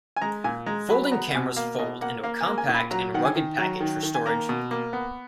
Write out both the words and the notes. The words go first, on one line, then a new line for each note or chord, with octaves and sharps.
Folding cameras fold into a compact and rugged package for storage.
G#5
G#3 A#5
A#2 G#5
G#3 A#5
F#3 B5
B5
B3 A#5
F#5
B2 G#5
A#3 F5
B2 D#5
A#3 F#5
A#3 F5
G#5
A#3
G#5
A#2
B5
F#3 A#5
D#3 F#5
G#5
D#3
F#3 A#5
D#3
D#3
G#5
A#3 A#5
B2
A#3
B3